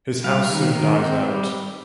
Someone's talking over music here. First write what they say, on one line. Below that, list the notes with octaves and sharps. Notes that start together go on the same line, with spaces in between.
His house soon dies out.
G3 F5
D#3
D#3
C4
G3